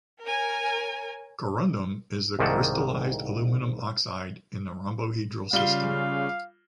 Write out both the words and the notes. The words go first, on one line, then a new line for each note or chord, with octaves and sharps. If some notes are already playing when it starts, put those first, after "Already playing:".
Corundum is the crystallized aluminum oxide in the rhombohedral system.
A#4 C#5 G#5
C2 G#2 D#3 A#3 F#5 A5
C#3 G3 F4 F5 G7